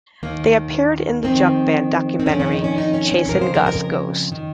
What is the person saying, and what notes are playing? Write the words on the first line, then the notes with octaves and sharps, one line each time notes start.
They appeared in the jug band documentary "Chasin' Gus' Ghost".
D#2 D#3 A#3
F2 D#3 C4
C4
F2 D#3 C#4
C#4
D#4
C#4
D#4
C#4
C#4
F2 C#3 A#4
C5
A#4
A#4
D#3